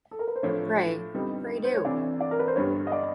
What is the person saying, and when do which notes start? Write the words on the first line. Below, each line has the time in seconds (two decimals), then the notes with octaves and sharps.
Pray, pray do.
0.11 A4
0.19 A#4
0.28 B4
0.36 C5
0.43 A2 F3 A3 D4 C#5
1.14 F2 D3 G3 B3 D#4
1.64 C5
1.75 C#5
1.84 C3 E3 A3 D4 D5
2.21 D5
2.31 A#4
2.39 B4
2.48 C5
2.56 G2 D3 G3 B3 D4 C#5
2.87 D#5
2.92 D5